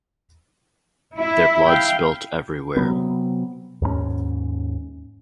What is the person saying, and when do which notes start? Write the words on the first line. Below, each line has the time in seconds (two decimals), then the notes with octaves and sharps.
Their blood spilt everywhere.
1.17 E4
1.67 F5 G5
2.76 C3 F#3 B3
3.82 D#2 G#2 G3 C#4